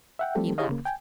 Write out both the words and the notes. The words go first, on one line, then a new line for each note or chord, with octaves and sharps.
He laughed.
E5 F#5 G5
F3 G3 A3 C4 G4 A4
E4 G4 G#4 C#5 D#5 F5
C#3 A#3
G5 G#5